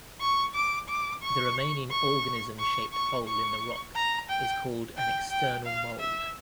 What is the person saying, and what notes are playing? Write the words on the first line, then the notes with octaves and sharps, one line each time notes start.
The remaining organism-shaped hole in the rock is called an "external mold".
C#6
D6
D6
C#6
C#6
C#6
C#6
C#6
A#5
G5
G5
G5
F5
E5